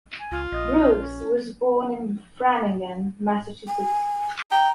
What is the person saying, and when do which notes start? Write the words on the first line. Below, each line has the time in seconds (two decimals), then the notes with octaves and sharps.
Brooks was born in Framingham, Massachusetts.
0.19 G#5
0.31 C#2 F4
0.52 A#1 D#5
1.00 C#4
3.68 G#5
4.51 G5 A#5